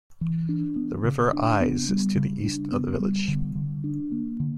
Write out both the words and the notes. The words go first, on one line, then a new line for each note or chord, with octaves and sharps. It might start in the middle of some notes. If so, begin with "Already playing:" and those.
The River Ise is to the east of the village.
E3
D4
B3
C#3
D4
B3
G3
C#3
D4
B3
G3
D3
D3
D4
A#3
D3